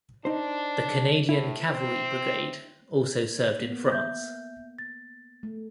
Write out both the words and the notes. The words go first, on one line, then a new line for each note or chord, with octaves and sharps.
The Canadian Cavalry Brigade also served in France.
D4 D#4 C5
A2 E4
C4
A#3 B3
E5 G6
A6
A3